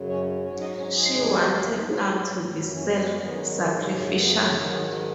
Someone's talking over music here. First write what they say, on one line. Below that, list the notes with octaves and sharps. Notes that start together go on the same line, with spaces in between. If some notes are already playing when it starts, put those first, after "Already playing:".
She wanted now to be self-sacrificial.
Already playing: F#2 C#3 F#3
C#4 C#5
G#2 F#3 C#4 C#5
D#4 D#5
C#4 C#5
G#3 G#4
D#2 D#3 F#3
G#2 F#3
F#2 F#3
C#4
B3
C#4
G#2 D#3 F#3 B3
F#2 C#3 F#3 G#3
B3
G#2 D#3 F#3 D#4
G#3 G#4
F#3 F#4